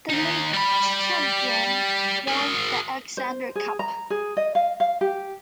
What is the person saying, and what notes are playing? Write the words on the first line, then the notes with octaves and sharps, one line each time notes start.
The league's champion won the Alexander Cup.
D#2 D#4
G3 B5
G#4 A#4
C5
G#4
A#5
G#4
D#5
F5
F5
G4